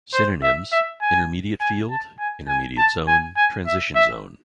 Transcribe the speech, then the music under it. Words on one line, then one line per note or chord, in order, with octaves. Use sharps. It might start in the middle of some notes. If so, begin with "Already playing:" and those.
"Synonyms": intermediate field, intermediate zone, transition zone.
C5
E5
E5
G#5
G#5
A5
G#5
G#5
A5
G#5
G#5
E5
E5